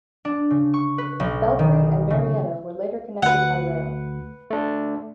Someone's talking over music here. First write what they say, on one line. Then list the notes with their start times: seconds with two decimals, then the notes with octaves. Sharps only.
Belpre and Marietta were later connected by rail.
0.25 D4
0.50 C#3
0.74 C#6
0.98 B4
1.20 B1
1.59 D#3
2.10 C#3
3.22 D2 B4 F#5
4.50 A3 D4